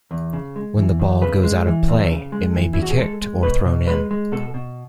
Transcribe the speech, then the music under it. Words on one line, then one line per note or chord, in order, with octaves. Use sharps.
When the ball goes out of play, it may be kicked or thrown in.
E2
C#3
G#3
E3
E2
C#3 B4
G#3
E3
E2
C#3
G#3
E3
E4
E2 F#4
G#4
G#3 A4
G#3
B2 B4
B2
G#3 B4
G#3
B2 A4
B2